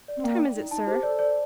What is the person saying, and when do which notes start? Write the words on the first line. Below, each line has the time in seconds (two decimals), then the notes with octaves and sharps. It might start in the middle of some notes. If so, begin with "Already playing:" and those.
"What time is it, sir?"
0.08 D5
0.17 C4
0.24 A#3 G5
0.56 D#4
0.71 D#4 A5
0.87 G4 C5
1.03 A4 D5
1.19 D5